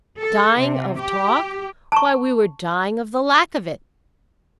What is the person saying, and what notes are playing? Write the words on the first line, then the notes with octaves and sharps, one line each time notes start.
Dying of talk?--why we were dying of the lack of it!
A4
C3
G4
A5 A#5 C#6